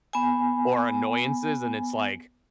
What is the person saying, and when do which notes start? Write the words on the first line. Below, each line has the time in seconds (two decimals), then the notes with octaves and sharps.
or annoyances, and it's like,
0.13 B3 G#5